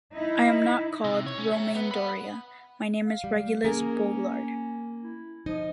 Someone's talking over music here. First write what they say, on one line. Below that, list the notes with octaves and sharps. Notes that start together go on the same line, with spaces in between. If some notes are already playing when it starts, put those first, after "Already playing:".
I’m not called Romain Doria, my name is Régulus Boulard.
D#4 E4
C3
C#5
C#4
G4 E5
B3 B4
F#5 B5
F5
G3
A#3 C#4 G#4 A#4
E4
F3 D#4 D#5